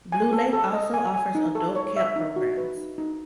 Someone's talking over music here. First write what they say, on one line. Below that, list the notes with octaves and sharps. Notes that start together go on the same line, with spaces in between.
Blue Lake also offers adult camp programs.
G#5
A4
A4
D#5
G#5
G#5
D#4
A4
C#5
E5
D#4
F#4
B4
D#4
D#4